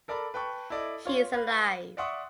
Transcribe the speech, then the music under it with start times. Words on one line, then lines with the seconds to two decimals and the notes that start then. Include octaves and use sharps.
He is alive.
0.08 A4 A#4 D5 A5 B5
0.34 B4 G5 A5 C#6
0.70 E4 A4 D5 D#5
1.05 F4 C#5 C6
1.32 B4 F5
1.97 D5 E5 F#5 C6 C#6 D#6